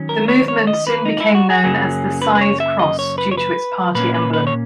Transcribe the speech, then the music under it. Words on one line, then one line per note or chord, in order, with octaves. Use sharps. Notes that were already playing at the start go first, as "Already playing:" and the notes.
The movement soon became known as the Scythe Cross due to its party emblem.
Already playing: D#3 F#3 C#4
A#4
C#5
C#5
D#5
B4
D#4
E4
F#4
G#4
F#2 C#3 F#3 A#3 C#4 G#4
B4
B4
C#5
E5
D#5
C#5
B4
C#5
B4
A#2 A#3 C#4 B4
B4
B4
C#5